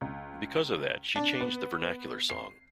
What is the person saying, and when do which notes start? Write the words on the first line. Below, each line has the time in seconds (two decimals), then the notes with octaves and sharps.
Because of that she changed the vernacular song.
0.01 C#2
1.16 D4
1.41 B3
2.30 C7